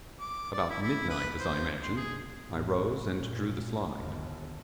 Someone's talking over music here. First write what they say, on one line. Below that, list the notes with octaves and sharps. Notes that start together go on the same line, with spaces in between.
About midnight, as I imagined, I arose and drew the slide.
D6
D5
E4
E4
B4
C5
C6
G#4
A1
A#2
G1 D#2